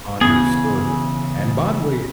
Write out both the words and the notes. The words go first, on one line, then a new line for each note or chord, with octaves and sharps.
Understood. And by the way, eh, uh
C#3 E3 B3 G#4